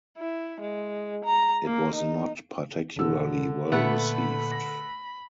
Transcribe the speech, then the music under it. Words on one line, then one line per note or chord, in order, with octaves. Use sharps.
It was not particularly well received.
E4
G#3
A#5
A#3
D#4
E1 D3 E6
A#2 A3 B3 F#5 B5
A#6